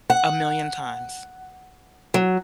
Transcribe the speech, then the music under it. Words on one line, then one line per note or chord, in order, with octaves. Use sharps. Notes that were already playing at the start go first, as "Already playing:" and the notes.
A million times.
F#5
F#3